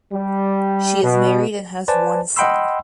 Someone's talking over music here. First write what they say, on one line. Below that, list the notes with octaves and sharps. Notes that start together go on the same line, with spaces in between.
She is married and has one son.
G3
B2
B4 C5 D5 G#5 A5
D#5 F#5 G5 B5 C6 E6